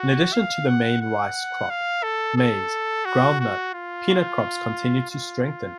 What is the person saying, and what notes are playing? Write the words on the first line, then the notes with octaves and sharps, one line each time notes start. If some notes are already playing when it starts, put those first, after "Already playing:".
In addition to the main rice crop, maize, groundnut, peanut crops continued to strengthen.
Already playing: F#4
F5
F#5
F#5
F5
A4
A4
F#4
F#4
F4
F4